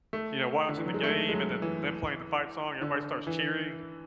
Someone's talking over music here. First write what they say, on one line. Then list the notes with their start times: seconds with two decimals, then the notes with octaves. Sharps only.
you know, watching the game, and then them playing the fight song, everybody starts cheering.
0.13 A3
0.69 D3
0.77 E3
0.86 F#3
0.94 G#3
1.04 A3
1.29 G#3
1.33 F#3
1.62 E3
2.82 D3
3.27 E3